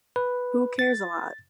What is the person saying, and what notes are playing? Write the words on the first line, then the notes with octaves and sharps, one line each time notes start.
Who Cares a Lot?
B4
A6